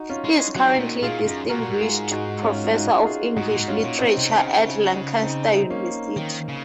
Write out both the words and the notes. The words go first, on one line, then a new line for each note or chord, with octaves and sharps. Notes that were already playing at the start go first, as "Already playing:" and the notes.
He is currently Distinguished Professor of English Literature at Lancaster University.
Already playing: D#4 F#4
C#4 F4
G#3
F#3 D#4 F#4
C3
A#2
A#2 F4 G#4
F#2
G#2 F#4 A#4
A#2
G#2
F4 G#4
D#4 F#4
C#4 F4
F4
D#4 F#4
F4 G#4
G#2 D#4 F#4
A#2
G#2
C#4 F4
A#2
C4 D#4
C3
C#3
C4 D#4
A#3 C#4
D#3
C#3